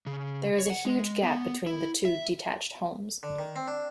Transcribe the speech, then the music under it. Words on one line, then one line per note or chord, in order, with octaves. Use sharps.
There is a huge gap between the two detached homes.
C#3
C#5
F#5
G#3
B3
E4
E5
D3
D#3
C4
D4